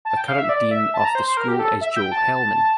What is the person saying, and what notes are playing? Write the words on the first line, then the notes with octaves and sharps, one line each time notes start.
The current dean of the school is Joel Hellman.
A5
G5
F5
E5
D5
E5
A5
A#5
C5
C5
A#4
G4
A4
E5
G5
A5